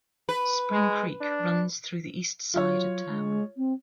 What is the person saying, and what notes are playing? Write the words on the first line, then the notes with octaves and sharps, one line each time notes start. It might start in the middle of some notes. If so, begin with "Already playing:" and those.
Spring Creek runs through the east side of town.
B4
G#3
D4
F#3 F4 C#5
G#3
C4